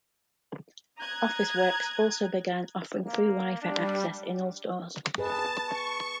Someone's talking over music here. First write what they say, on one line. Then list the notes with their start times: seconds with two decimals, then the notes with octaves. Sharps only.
Officeworks also began offering free Wi-Fi access in all stores.
0.98 A#5 D#6 F#6 G#6
3.06 A#3
3.62 G3 D4
5.18 G#4 B4 D#5 A5
5.66 C#6